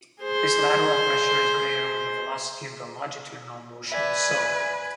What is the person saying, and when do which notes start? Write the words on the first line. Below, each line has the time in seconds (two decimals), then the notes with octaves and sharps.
This lateral pressure is greater when the velocity of the longitudinal motion is so.
0.22 G#4 C5
3.92 B4 D5 E5 G#5